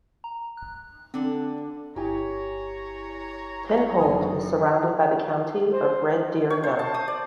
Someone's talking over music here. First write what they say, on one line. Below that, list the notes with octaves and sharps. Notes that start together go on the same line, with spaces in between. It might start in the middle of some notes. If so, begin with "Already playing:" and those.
Penhold is surrounded by the county of Red Deer No.
A#5
F#6
D3 C4 D4
G1 E4 G4 C#5 G#5 A#5
F#1 D#4 D#6
C5
C#5
C5
A5
D#6
D5